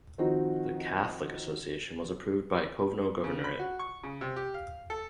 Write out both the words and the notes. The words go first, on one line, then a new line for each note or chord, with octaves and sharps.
The Catholic association was approved by Kovno Governorate.
D#3 F3 C4 D#4 F#4
C#3
B5
F#4
C#6
C#3
C3
G4
F5
A4